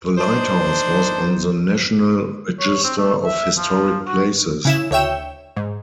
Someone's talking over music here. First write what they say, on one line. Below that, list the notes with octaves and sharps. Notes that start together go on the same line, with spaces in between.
The lighthouse was on the National Register of Historic Places.
D4 D#4 C5
C#5
C4
A3
E5
F3
F#4
C#3 E4 E7
D2 C#5 E5 G5 E7
G#2